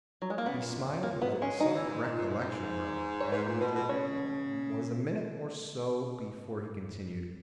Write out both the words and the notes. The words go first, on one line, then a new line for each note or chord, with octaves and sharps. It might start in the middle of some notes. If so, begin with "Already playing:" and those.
He smiled at some recollection or other, and it was a minute or so before he continued.
F#3
G#3
A#3
C#3 B3
A#2
F#2
E2
F#2
A#2 A#3
F#3 B3
G#3 C#4
F#3 D#4
E3
G#2
A#2
A#2
G#2
F#2
G#2
C#5
G#2 B4
A#2
B2 B4
B2
C#3 C#5